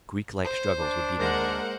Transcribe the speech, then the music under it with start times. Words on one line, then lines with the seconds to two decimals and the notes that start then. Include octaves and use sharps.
Greeklike struggles would be no more.
0.44 C5
0.79 D4
1.19 G#3 A#3 A#4 C5 F#5 A#6